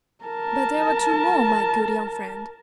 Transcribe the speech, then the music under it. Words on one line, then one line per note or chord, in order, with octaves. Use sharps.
"But there were two more, my good young friend!"
A#4 A5